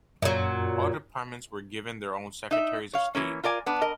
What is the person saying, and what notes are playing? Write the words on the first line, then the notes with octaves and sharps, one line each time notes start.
All departments were given their own Secretaries of State.
F#2 A#2 F#3
D#4 E5
C#5 F5
E3 A#3 C#4
F4 A#4 D5 G#5
B3 D4
A#4 D#5